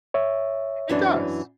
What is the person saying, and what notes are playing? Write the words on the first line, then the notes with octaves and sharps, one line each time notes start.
It does.
C#5 E5
F#2 E3 D4